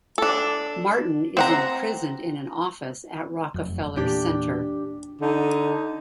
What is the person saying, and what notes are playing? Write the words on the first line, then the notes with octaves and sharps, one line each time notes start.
Martin is imprisoned in an office at Rockefeller Center.
D4 A4
C4 F#5 A#5
F1 F#2
E2 A#2 D4 G4
D3 D#4